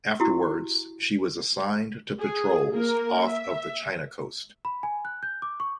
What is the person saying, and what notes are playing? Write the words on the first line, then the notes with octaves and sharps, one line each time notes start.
Afterwards, she was assigned to patrols off of the China coast.
E4 F#4 G4
G#4
A#3 A#4
E5
B5
G#5
F#6
G6
D6
C#6